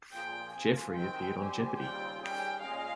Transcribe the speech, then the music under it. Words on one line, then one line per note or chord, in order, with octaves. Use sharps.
Jeffrey appeared on Jeopardy!
A#2 F3 A#3 F4 G#4 G5
F3 C4 F4 G#5
D#3 G#3 C4 G5
G3 C4 G4 C5 G#5
D#2 C#3 G3 C4 F4 G5
D#3 G3 C#4 G#4 G5
A#2 G#3 C#4 G#4 D#5 F5